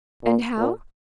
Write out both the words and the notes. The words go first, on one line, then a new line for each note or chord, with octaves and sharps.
And how?
A#2
A#2